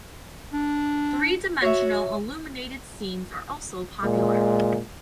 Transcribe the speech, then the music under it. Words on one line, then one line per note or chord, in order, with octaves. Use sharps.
Three-dimensional illuminated scenes are also popular.
D4
F#4 C#5 E5
A#2 G#3